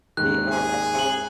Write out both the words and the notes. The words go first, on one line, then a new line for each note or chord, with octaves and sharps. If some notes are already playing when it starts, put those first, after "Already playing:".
They are apart.
D#2 G#2 D#3 F#6
G#4
F#7